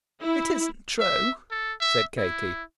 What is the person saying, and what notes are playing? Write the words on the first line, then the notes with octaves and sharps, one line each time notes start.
"It isn't true," said Katie.
E4
E5
A4
E5
E4